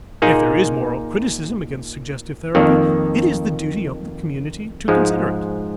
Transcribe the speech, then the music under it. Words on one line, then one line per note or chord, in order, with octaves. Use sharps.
If there is moral criticism against suggestive therapy, it is the duty of the community to consider it.
A#2 A#3 D#4 G#4
F2 D#3 A#3
G#2 F3 G#3